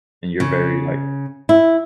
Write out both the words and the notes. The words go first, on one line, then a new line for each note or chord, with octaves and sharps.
And you're very like
C#3
E4